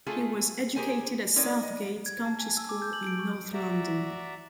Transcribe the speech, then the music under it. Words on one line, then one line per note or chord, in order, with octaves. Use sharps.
He was educated at Southgate County School in North London.
A3 F4 G#4 A4
G4 G#4 A#4 C5 G#5
C4 D#4 A#4 C#5 D5
D#5
G#6
A5
G#5
E6
D6
G6
F#7
D7
C#6
F#4 D5 E5 A#5